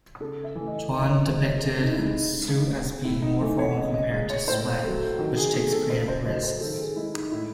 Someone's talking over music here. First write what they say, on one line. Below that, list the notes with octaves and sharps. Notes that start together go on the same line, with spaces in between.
Juon depicted "Suit" as being more formal compared to "Sweat" which takes creative risks.
C#3 A4
E5
E3 A3
D#5
D#3 D#5
C#5
G#3 C5
C#5
C#3 A4
D#4
E4
G#3 D#4
D#4
C#3
G#3
A2 E4
D#4
E3 A3 D#4
C#5
C#3 D#5
D#5
G#3 D#5
C#5
A2 C5
F#3 A3
D#3 F#4
G#4
A3 G#4
A4
C#3 C5
C5
F#3 A3 D#5
C5
D#3 A4
G#4
G#3 E4
D#4
A2 E4